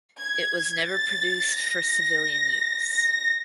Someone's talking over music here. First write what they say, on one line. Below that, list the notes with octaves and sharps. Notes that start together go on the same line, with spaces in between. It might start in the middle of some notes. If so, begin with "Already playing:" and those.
It was never produced for civilian use.
G#6
A6
A#6
A#6